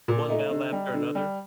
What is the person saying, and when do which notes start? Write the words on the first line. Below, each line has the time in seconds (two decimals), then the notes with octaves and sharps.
One Battle After Another?
0.08 A#2
0.29 A3 D#4
0.51 D3
0.72 G3
0.94 D3
1.15 G3